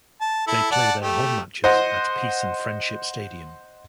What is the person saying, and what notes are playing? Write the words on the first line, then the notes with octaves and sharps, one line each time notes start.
They play their home matches at Peace and Friendship Stadium.
A5
E4 A4
D5 F#5 A5
A3 G4
C5 D#5 F#5